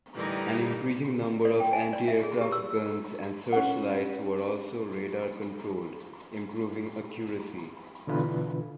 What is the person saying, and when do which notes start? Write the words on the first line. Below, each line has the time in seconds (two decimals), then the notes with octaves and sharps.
An increasing number of anti-aircraft guns and searchlights were also radar-controlled, improving accuracy.
0.16 A2 D3 E3 G3 D#4 G4 A#4
1.45 D5
1.60 G5
1.73 G#5
1.93 D5
2.08 E5
2.23 G#4
2.41 G4
2.52 E6
3.52 C#4 B4 F#5
8.07 B2 D3 E3 F4 B4